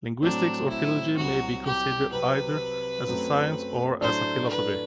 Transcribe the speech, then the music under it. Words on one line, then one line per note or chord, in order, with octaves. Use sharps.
Linguistics or philology may be considered either as a science or as a philosophy.
A2 F#3 C4 D4
E4
C2 C3 F#3 F#4
G4
C3 F#3 C4 G4 B4
F#2 F#3 A3 C4
A2 F#3 A3 D4 C5
B4